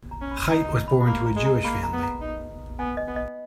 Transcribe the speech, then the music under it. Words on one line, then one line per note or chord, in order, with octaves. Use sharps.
Chait was born to a Jewish family.
A#5
C#4
B5
D#4 A#5
A#5
B5
A#3 B5
A#5
G#3
A#5
A#3 B5
A#5
B3
A#5
D#4
B3 G#5
D#5
B3
D#5